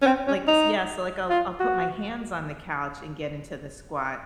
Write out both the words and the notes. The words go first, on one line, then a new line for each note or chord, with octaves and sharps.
like, s yeah, so like I'll I'll put my hands on the couch and get into the squat,
C#4
C4
C#4
D#4
F4
F#4